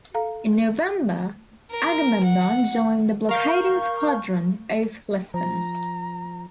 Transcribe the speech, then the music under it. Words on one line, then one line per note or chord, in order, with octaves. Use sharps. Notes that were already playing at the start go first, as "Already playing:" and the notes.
In November, "Agamemnon" joined the blockading squadron off Lisbon.
A4 F5 A#5
A#4
F#5
A#4 F5 C#6 G6
F3 A#5